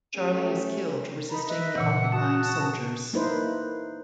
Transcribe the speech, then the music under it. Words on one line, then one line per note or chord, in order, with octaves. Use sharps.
Charlie is killed resisting the occupying soldiers.
A3 C#4 G4
D#4 A#5 B5
B4 D#5 E5
A#2 C#3 E3 F#5 E6
F#4 A5 D#6
A#3 D#4 E4 B4 C5